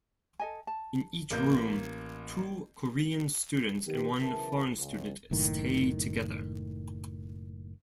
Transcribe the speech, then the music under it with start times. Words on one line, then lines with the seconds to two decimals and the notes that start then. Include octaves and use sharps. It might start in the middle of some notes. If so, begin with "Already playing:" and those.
In each room, two Korean students and one foreign student stay together.
0.40 A4 D#5 G#5
0.67 A5
1.31 A1 A#3 G6
3.86 D#3 B3 G4
4.20 B1 C#3 E3 E4 A#4 A5
4.79 C#2
5.31 F#1 A2 D#3